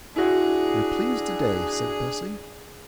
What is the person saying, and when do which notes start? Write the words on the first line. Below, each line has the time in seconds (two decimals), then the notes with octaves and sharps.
'You're pleased to-day,' said Bessie.
0.16 D4 E4 F#4 G#4